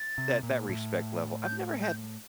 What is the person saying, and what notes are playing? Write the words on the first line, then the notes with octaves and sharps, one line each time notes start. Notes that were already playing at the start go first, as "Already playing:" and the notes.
That that respect level, I've never had
Already playing: A6
C3
A#2
A2
G6
G6